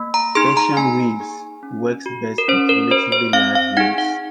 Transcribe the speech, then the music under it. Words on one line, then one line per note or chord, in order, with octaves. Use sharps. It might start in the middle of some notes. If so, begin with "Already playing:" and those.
Persian weaves works best with relatively large rings.
Already playing: A#3
A#5
D#4 G#4 C6
A#5
A#3 G#5
D#4 G#4
C#4
F#4
A#4
C#4 C5
A#4
F#4 C5
C5
C4 F5
F5
D#4 G#4 F#5
F#5